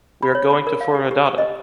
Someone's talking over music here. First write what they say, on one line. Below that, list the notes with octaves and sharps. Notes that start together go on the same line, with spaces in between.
We are going to Foradada.
B5
C#5
B5
A#4
F5
G4
G4
C#6
D#5